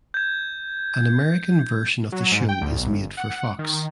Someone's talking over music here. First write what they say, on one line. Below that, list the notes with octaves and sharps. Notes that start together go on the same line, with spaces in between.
An American version of the show is made for Fox.
G6 G#6
F#3
G#2
G5
D2
B1
G1
F#5
D#3